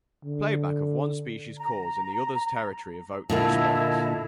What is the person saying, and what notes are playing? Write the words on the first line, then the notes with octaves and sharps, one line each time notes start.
Playback of one species' calls in the other's territory evoked a response.
D3
A#5
A#2 D3 A#3 E4 D#5 A5